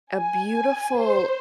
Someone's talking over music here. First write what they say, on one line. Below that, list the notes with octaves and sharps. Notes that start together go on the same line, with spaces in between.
a beautiful
G#5
C5